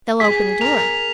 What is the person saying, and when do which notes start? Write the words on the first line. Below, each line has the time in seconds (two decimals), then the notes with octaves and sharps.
"They'll open the door."
0.20 G#4 B6
0.61 A#4 F7